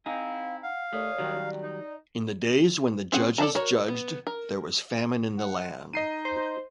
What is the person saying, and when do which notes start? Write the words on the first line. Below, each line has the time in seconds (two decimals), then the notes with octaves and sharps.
In the days when the judges judged, there was a famine in the land.
0.06 C4 D#4 E4 G#4 F5
0.63 F5 F#5
0.93 D#2 A3 C#5 D5 D#6
1.18 D#3 F#3 G3
1.63 D#4
3.12 C4 C#4 G#4 F#5
3.38 A4 D5 F5 A5 A#5
3.55 F#4 A#4 C#5
3.88 B3
4.27 A#4
5.38 F#5
5.93 D#4 D#5 C7 D#7
6.25 C5